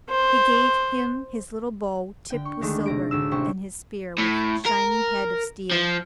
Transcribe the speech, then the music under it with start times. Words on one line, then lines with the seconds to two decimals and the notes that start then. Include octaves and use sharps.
He gave him his little bow tipped with silver, and his spear with shining head of steel.
0.10 C5
2.30 D3 G5
2.45 C#6
2.61 D#2 D#3 G#3 A3 D4
2.86 C3 A#6 D7
3.11 D2 A2 G#3 E6
3.31 A1 C3 C5 G5 C#6
4.18 A2
4.66 A#4
5.72 F3